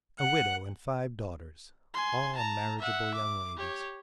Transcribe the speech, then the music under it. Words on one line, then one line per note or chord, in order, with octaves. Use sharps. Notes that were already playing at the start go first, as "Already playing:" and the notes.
A widow and five daughters, all marriageable young ladies.
F#5
G#5 C6
A5 A#5
E5 F#5
D6
G4 C#5